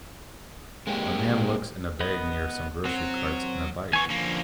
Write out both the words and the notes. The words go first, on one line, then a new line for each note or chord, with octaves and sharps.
A man looks in a bag near some grocery carts and a bike.
G#3 A#3 C4 G4
B3 D#5 B5
F#3 C4
E3 B3 G#5 C#6
D3 F3 A#3 C#4